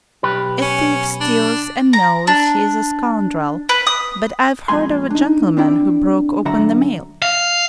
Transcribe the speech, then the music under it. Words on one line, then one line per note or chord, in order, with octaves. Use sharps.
A thief steals and knows he is a scoundrel, but I've heard of a gentleman who broke open the mail.
B1 G4 B4
C#4
D4
A#5
D4
B4
D#6
F2 A#2 G#3 G#5 C6
D4 D#4
C4 D4 E4 G5
F#2 D3 F#3 E5 F#5 A#5
F5